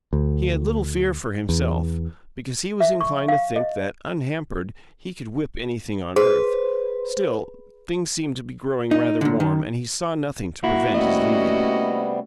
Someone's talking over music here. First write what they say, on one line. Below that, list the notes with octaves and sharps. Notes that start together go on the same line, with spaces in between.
He had little fear for himself, because he was inclined to think that, unhampered, he could whip anything on earth; still, things seemed to be growing rather warm and he saw nothing to prevent his leaving.
D2
E2
E5
C#6
F5
D#5
G#4 B4 C5
D#4
A#2 D3
D#3
A#3 E4 F#4
C3 G3 A3 B3 C#4 F#4 D#5